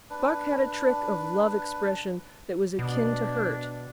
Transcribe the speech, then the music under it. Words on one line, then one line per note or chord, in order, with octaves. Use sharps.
Buck had a trick of love expression that was akin to hurt.
D4 B4
B2 D4